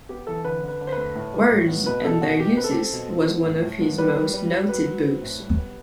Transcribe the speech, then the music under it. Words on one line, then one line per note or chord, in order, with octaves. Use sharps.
"Words and Their Uses" was one of his most noted books.
B3 G4
E3 A4
D3 B4
D3 B4
D3
C5
B4
A3
A2
G3
A2
B3
B2 B4
B2 A4
B2 F#4
B2 G4
C4 B4
A4
G4
C4 A4
B2
C4
B3
A2
A2
B3
G3 B4
G3
G3
G3
F#3 B4
F#3
C4
A2
G3
B3